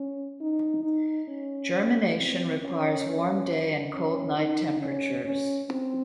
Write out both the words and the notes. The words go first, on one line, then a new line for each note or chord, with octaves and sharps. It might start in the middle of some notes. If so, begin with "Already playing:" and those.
Germination requires warm day and cold night temperatures.
Already playing: C#4
D#4
D#4
C#4
C4
C#4
C#4
D#4
C#4
C#4
C4